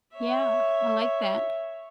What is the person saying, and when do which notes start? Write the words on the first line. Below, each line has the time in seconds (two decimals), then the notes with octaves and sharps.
Yeah, I like that.
0.14 C#5 E5